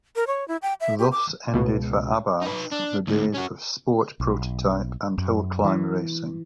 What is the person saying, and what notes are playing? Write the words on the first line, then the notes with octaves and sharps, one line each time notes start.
Thus ended for Abarth the days of sport prototype and hill climb racing.
A#4
C#5
E4
G5
E5
G4
D6
C#2 B2
D#4 B4
D4
D2 A2
C#4 F#4
B1
F#2
E3